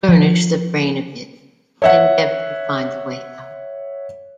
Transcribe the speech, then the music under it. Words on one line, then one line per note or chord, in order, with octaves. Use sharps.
Burnish the brain a bit and endeavour to find the way out.
F3
C#5 E5 F#5